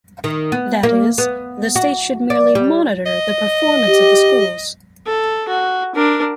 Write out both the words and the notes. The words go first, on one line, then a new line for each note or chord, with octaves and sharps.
That is, the states should merely monitor the performance of the schools.
D#3
B3
A#3
B3
F#4
D5
G3
D#5
G4
A4
F#4
D4 A#4